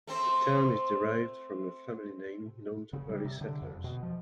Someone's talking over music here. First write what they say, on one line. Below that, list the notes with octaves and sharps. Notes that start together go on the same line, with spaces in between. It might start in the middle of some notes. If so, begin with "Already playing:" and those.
The town is derived from a family name known to early settlers.
A3 C4 C5
C#3
G3
C3
D3
F2
B2
F3